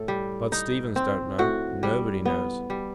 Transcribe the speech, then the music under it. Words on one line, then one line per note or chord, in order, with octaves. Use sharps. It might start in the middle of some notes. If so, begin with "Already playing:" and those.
Bud Stevens don't know--nobody knows.
Already playing: A2 A4
G3
D#4
C4
A2 F#4
G3
B3
G3